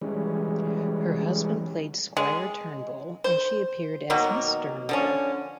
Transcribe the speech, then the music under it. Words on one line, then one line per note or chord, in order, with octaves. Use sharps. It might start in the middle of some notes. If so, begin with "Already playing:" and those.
Her husband played Squire Turnbull and she appeared as Miss Turnbull.
E3 G3 G#3 C#4
G#3
C5
B2 D#3 F#3 A#3
D3 F3 C#4